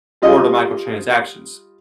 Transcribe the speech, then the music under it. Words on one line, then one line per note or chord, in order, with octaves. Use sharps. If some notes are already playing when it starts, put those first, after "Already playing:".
for the microtransactions.
G3 F4 D#5